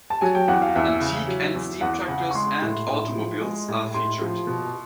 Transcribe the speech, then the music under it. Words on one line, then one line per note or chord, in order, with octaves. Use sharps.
Antique and steam tractors and automobiles are featured.
A5
F#3 G#5
G5
E2 F#5
F5
E2 E5
C#3
F#3
E2
E2 F#5
C#3
C#6
G#3 C6
A2
A2
F3
G#3
A2
A2 C6
F3
B2